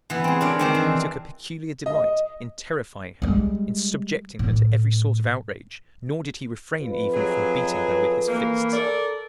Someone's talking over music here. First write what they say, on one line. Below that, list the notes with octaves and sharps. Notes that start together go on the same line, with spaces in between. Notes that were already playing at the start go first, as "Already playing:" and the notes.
He took a peculiar delight in terrifying her, in subjecting her to every sort of outrage; nor did he refrain even from beating her with his fists.
E3 B3
C4 G#4
D4 A#4 C#5
D#3 C4 D4
E3
D#5
G3 G#3
A2
F2 F4 B4
F#3 G#4
E3 A#3
A4 A#4 D5